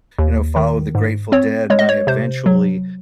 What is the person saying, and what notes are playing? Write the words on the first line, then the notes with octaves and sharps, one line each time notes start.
you know, follow the Grateful Dead, and I eventually,
D#2
D#3
G#2
C4 C#5
G#3 C#5
D#5
C#5
C3 C5
F#3